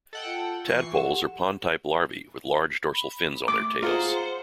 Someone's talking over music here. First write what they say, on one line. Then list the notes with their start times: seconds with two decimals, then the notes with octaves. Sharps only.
Tadpoles are pond type larvae with large dorsal fins on their tails.
0.13 A4 D#5 F#5 G5
0.25 F4
0.68 E3 C#6 C7
0.94 G4 A4 F#5 E7
2.94 B5
3.48 A3 D6
3.82 F4 G#4 C5 F#5 A#5